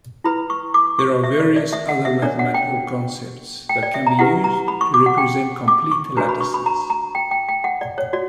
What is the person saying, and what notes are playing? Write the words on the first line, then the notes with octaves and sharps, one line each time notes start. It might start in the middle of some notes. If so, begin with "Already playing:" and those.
There are various other mathematical concepts that can be used to represent complete lattices.
E4 B4 B5
C#6
D6
C#6
E5
D5
D5
E5
F#5
E5
D4 A#4 C#5 D5
F#5
G5
G5
D5
E5
A#5
E4 G4 B4 F#5
A#5
B5
C#6
D6
F#5
G5
D6
C#6
D4 F#4 B4 A#5
B5
C#6
B5
A#5
A#5
G5
G5
G5
F#5
D5
C#5
F#4 D5